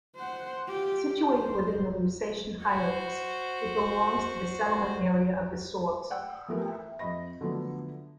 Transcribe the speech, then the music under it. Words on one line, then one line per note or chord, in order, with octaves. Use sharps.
Situated within the Lusatian Highlands, it belongs to the settlement area of the Sorbs.
C5 F#5
F4 G4
C5
F#4 C5
D5 F#5 G5 E6
E3 F3 A3 B3 G4 A#4
E5
F2 D#5 B5 A#6
D3 F3 F#3 A3 B3 D4